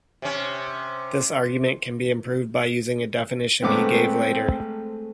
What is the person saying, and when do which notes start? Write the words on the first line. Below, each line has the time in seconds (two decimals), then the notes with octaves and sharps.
This argument can be improved by using a definition he gave later.
0.22 C3 C#4
3.63 G#1 G#3 A3 B3 C4 D6